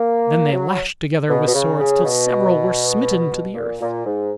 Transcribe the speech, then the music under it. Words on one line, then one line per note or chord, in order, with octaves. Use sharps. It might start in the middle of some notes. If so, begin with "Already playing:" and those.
Then they lashed together with swords till several were smitten to the earth.
Already playing: A#3
F#3
B2
B2
C#3
C#3
B2
A#2
A#2
G#2